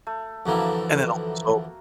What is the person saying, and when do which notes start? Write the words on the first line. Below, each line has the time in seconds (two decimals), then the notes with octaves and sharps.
and then also
0.07 A3
0.46 F2 D3 E3 A3 A#3 F#4